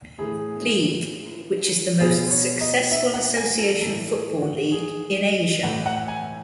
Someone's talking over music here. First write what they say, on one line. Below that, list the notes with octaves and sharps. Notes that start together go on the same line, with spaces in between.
League, which is the most successful association football league in Asia.
A2 E3 G#4
B2 G#4
C#5
D#5
E5
F#5
G#5
A4
A2 E3 A4
G#4
F#4
G#4
A2 E3 F#5
F#5
G#5